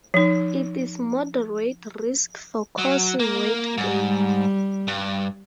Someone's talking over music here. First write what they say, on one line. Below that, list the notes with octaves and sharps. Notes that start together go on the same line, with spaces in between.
It is moderate risk for causing weight gain.
F3 D#4
F#3
A#3
G#2 G3
G2